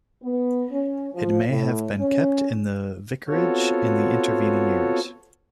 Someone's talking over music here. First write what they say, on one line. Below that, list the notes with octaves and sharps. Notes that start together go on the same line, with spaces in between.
It may have been kept in the vicarage in the intervening years.
B3
C#4
F3
A2
C#4
B3 C4 F4 F#4 A4 C#5